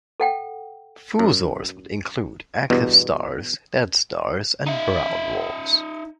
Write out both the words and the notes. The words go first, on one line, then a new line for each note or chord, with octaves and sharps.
Fusors would include active stars, dead stars, and brown dwarfs.
A4 F#5 G5
F#2
E2 G2 B2
D#4 E5